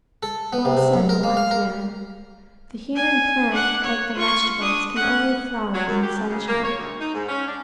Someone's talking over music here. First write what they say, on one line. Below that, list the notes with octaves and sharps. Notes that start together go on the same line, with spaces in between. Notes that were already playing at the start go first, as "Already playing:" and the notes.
Well said the wise man, "The human plant, like the vegetables, can only flower in sunshine."
A4
B3
C3
C3
F#2
A#4
A#3
F5
A#4
G#5
D4 F#5
C#5
F4 C#6
D4 D#6
C#4 F#5
F#3
F#2
G4
F#2
C#3
A#3
C#5
D2
D#4
G#2
C#4
D4